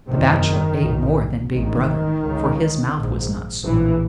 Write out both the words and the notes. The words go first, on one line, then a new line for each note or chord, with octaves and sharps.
The Bachelor ate more than Big Brother, for his mouth was not sore.
F#1 E2 C3 D#3
B1 A2
A1 G#2 D#3
C#2 C#3
A#1 G#2
A#1 A2 E3